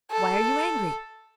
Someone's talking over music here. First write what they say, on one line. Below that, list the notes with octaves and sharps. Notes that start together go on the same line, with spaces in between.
"Why are you angry?"
A4